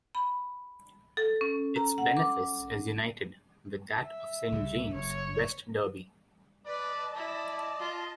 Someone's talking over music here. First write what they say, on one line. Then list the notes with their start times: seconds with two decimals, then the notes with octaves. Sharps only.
Its benefice is united with that of Saint James, West Derby.
0.15 B5
1.17 A4
1.41 C#4
1.76 A#5
1.98 F#5
2.17 D6
4.03 E5
4.52 C2 C#3 G3
4.94 F#1 C#5
6.66 B4 D5 D#5 A5
7.16 E4 D5
7.79 F4